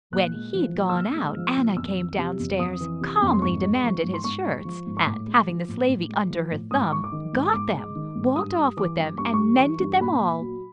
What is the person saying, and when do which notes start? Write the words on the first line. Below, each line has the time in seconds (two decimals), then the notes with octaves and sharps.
When he'd gone out, Anna came downstairs, calmly demanded his shirts, and, having the slavey under her thumb, got them, walked off with them, and mended them all.
0.12 A#2 F#6
0.34 G#3
0.54 F3
0.74 A#2
0.89 E6
0.95 A#2 F6
1.16 G#3
1.37 F3
1.57 A#2
1.77 F2 E6
1.98 E3
2.18 C3
2.39 F2
2.59 F2 D#6
2.80 E3
3.01 C3
3.22 F2
3.33 C6
3.42 G#2 C#6
3.63 G#3
3.84 F3
4.04 G#2
4.14 C6
4.24 G#2 C#6
4.45 G#3
4.65 F3
4.87 G#2
4.97 C#6
5.06 A2 D6
5.28 G#3
5.48 F3
5.69 A2
5.89 A2
6.09 G#3
6.30 F3
6.51 A2
6.71 G#2 D#6
6.82 D6
6.92 G#3 C#6
7.04 D6
7.12 D#3
7.33 G#2
7.53 G#2 D6
7.74 G#3
7.95 D#3
8.15 G#2
8.36 G2 D#6
8.57 G3
8.77 E3 D6
8.97 G2
9.18 G2 C#6
9.25 D6
9.34 C#6
9.39 G3
9.59 E3
9.80 G2
10.00 A#2 B5
10.21 A#2
10.42 F#3